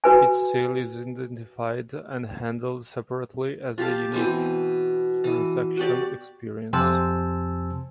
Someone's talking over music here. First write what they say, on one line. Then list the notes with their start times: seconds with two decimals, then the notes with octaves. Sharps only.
Each sale is identified and handled separately as a unique transaction experience.
0.04 F#4 B4 G#5
3.78 F4 G4 F5 A5
4.12 B2 E3 C4 G#5
5.24 E3
5.77 F#4 G4 D5
6.73 F2 C3 C5 G#5 A5 E6